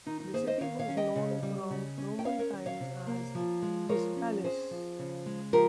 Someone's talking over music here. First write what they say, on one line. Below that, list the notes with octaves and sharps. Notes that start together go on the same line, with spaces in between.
The city was known from Roman times as "Hispalis".
D#3 D#4
D#4
A#3 G#4 C5
C5 D#5
D#3 C#5 F5
C#5 F5
C#4
D#5 G5
C#3
G3
C#3
C#4
G5
C#4 C#5 F5
A#4 C#5
D#3
C#5 F5
C3
A#3
F3
G#3
F3 A#4 C#5
C#4
C4 G#4 C5
F3
C#3
G#3
F3 G4 A#4